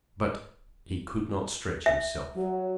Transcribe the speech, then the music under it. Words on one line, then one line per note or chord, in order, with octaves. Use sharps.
But he could not stretch himself.
E5
F#3